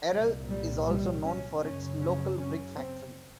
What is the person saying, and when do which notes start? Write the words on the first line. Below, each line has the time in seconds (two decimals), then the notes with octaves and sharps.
Errol is also known for its local brick factory.
0.11 C2 A#2 G3
0.49 G3
0.86 G3
1.25 C#4
1.62 F#2 C#3 C#4
2.00 C#4
2.38 C#4
2.76 C4